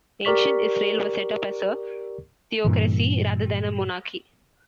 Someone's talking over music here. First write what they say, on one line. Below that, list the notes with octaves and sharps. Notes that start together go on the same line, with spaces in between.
Ancient Israel was set up as a theocracy, rather than a monarchy.
G4 A#4 D5 C#6 B6
G2 A#2 E3